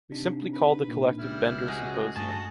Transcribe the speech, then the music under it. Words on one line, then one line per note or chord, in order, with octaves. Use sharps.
We simply call the collective bender symposium.
C3 D4 D#4
B4
A#2
C#2 G3 E4 F6
G#3 F#4 G#4
G2 A3 F#4 D#5 G#5 A5